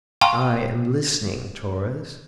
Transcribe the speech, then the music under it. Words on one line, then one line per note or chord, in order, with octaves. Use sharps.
"I am listening, Torres."
F5 G5 G#5 A#5 C6 C#6